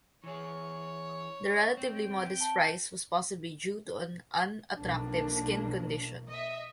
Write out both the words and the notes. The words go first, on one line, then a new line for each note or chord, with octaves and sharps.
The relatively modest price was possibly due to an unattractive skin condition.
E3 G#4 C#5
C4 G5
A5 G7
B1 F2 A#3 D4
D#5 E5